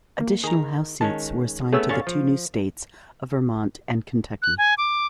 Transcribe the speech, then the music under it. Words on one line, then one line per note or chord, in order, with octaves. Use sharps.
Additional House seats were assigned to the two new states of Vermont and Kentucky.
A#3
D#3 G#4 A#5
D#3 G#3 C#4 A5
A3 B3 C#4 G#4 C#5 E6
G1 D3 C#4 F5 C#6 A6
F3
F#6
G#5
D6